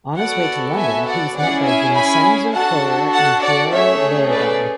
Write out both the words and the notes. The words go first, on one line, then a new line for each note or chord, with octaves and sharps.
On his way to London he was met by Vincenzo Correr and Piero Loredan.
B3 F#4 A4 D5 F#5
E5 G#5
D5 F#5
C#4 E4 G#4 D5 F#5
E5 G#5
G#5 B5
D4 F#4 A4 F#5 A5
F#5 A5
D5 F#5
A3 C#4 G#4 C#5 E5
B4 D5